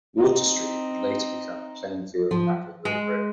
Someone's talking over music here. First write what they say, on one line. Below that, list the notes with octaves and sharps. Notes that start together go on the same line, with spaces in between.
Water Street would later become Plainfield-Naperville Road.
C4 D#4
F3
G#3